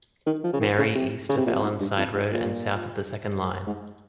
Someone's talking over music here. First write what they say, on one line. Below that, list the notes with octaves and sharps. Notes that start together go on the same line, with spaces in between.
Marie east of Allen's Side Road and south of the Second Line.
D#3
F3
C#3
D#3
C#3
C3
C#3
C3
A#2
C3
G#2
G2
F2
G#2
A#2
G#2